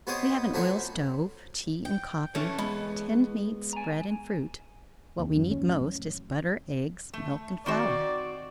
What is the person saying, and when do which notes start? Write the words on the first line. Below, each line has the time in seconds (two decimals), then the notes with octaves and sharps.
We have an oil stove, tea and coffee, tinned meats, bread and fruit; what we need most is butter, eggs, milk, and flour.
0.07 B2 B3 C4 C5 C#5 D#6
0.54 A2 F3 F#3 C4 C#6
1.85 G5
2.35 E3 A3 C#4 A4
2.59 G#3 B3
3.73 G#5 A#5
5.19 D#2
5.37 F#2
5.51 C#4
5.66 A1
7.13 A3
7.66 D#3 C4 F#4 D5